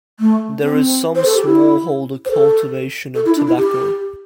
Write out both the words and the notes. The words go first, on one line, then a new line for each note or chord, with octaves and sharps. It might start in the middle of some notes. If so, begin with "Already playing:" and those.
There is some smallholder cultivation of tobacco.
A3
C4
C5
A4
G4
E4
C5
A4
A4
E4
D4
E4
G4